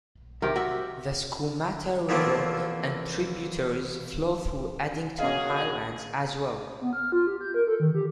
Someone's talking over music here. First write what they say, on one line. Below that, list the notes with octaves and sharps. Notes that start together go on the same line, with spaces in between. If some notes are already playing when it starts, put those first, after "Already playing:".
The Skootamatta River and tributitaries flow through Addington Highlands as well.
C3 D#3 G4 A#4
F#4 E5
E2 F3 A3 A#3 C4
A#3 C#4 F#4 G#4 D#5 F5
B3
F6
F4
G4
G6
A#4
A4
D#3
G4